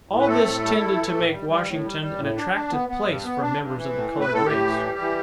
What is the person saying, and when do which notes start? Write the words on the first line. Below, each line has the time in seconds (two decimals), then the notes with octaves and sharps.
All this tended to make Washington an attractive place for members of the coloured race.
0.09 A2
0.20 B4
0.27 A3 C4 A4
0.45 A2
0.62 G3
0.79 E4
0.97 E3
1.15 A2
1.32 G3
1.49 G3
1.67 A2
1.84 G3
2.01 G3
2.19 A2
2.36 D4
2.54 D4
2.72 B3
2.89 B3
3.07 G2
3.25 B3
3.41 D4
3.59 G2
3.77 E3
3.94 A2
4.11 A2
4.20 B4
4.29 A2 A4
4.46 A2 G4
4.64 E3
4.81 G3
4.99 E3